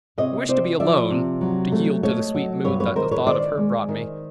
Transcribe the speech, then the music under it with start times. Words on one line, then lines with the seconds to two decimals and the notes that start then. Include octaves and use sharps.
I wished to be alone, to yield to the sweet mood that the thought of her brought me.
0.18 C3 C#5 D#5
0.49 C3 C5 D5
0.80 F3 D5 E5
1.10 C3
1.41 F#3
1.72 A3
2.03 A3 C#5 D#5
2.35 F#3
2.65 G2 B4 C#5
2.80 B4 C#5
2.96 D#3 A#4 C5
3.11 B4 C#5
3.27 D#3 C5 D5
3.57 G#3
3.89 D#3